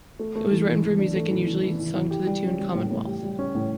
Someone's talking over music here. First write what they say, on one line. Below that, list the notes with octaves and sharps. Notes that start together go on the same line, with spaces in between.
It was written for music and usually sung to the tune "Commonwealth".
A3
A3
E3
E3
E3
D4
A3
E3
E3
E3
E3
E3
G4
G3
C#4
G3
A2
A2
G4
G3
C#4
A2